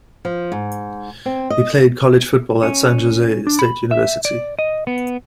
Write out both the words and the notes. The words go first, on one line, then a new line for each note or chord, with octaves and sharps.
He played college football at San Jose State University.
F3
G#2
C4
D#5
C#4
D4
B5
E5
D5
D#5
B3